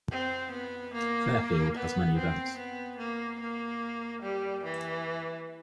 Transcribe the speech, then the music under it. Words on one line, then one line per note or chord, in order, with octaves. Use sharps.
Fairfield has many events.
C4
B3
A#3
B3
C4
B3
A#3
A#3
G3
E3